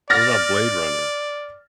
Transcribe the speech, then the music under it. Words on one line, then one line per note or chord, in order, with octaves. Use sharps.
What about Blade Runner?
D5 F6 A6 A#6